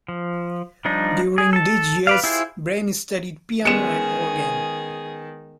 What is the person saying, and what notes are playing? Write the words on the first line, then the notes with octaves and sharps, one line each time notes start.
During these years, Brain studied piano and organ.
F3
F3 G3 D4 D#4
G#4
A4 A5
B4 D5 F5
E4 F4 G4 G#4 C5
D#3 G#3 B3 C#4 G#4 C#7 E7